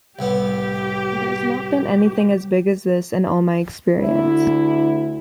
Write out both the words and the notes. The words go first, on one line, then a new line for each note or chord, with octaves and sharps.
There's not been anything as big as this in all my experience.
C2 A2 B3 G4
D2 E4